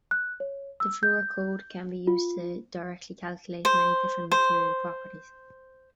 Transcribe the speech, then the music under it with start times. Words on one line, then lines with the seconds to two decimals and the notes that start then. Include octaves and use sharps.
The Fleur code can be used to directly calculate many different material properties.
0.11 F#6
0.40 C#5
0.80 E6
1.03 G6
2.07 F4
3.65 C5
4.32 C5